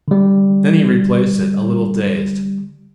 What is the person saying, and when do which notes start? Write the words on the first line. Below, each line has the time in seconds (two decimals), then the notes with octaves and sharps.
Then he replaced it, a little dazed.
0.08 D3 G3